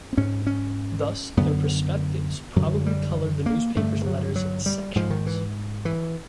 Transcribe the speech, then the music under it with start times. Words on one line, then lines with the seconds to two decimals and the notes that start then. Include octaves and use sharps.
Thus, their perspectives probably colored the newspapers' letters sections.
0.13 C4
0.17 G#2 C#4
0.47 C#4
1.37 F#2 D3 B3
2.56 F#2 D3 F#3
2.86 G3
3.46 A#3
3.76 G2 D3 A3
4.06 F#3
4.36 F#3
4.66 G3
4.95 G#2 F3
5.10 D#3
5.27 E3
5.85 E3